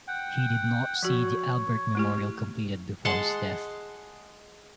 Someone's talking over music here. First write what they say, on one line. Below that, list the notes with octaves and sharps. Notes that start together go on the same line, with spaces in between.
He did not see the Albert Memorial completed before his death.
F#5 G5
F3 F#4 C#5
A3 E4 G4
G#3 F#5 A5 C6